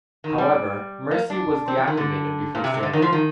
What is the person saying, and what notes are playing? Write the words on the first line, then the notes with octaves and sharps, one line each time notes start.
However, "Mercy" was deactivated before sailing.
D#3
G3
A#3
D4
C4
F3
D#3
D3
A#2
C3
C3
D3
D#3
F3
D#3